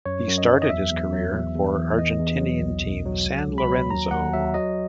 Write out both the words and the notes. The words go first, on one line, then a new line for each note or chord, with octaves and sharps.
He started his career for Argentinian team San Lorenzo.
F#2 C#5
F#2
D#5
F#3
D#5
E2 E5
E2
F#3
E2
E2
E3
E2 D#5
E2
F#3
B1
B1
F#3
C#2
C#2
B5
F#3
D#2 A#5
D#2 F#5
F#3 E5
F#3 D#5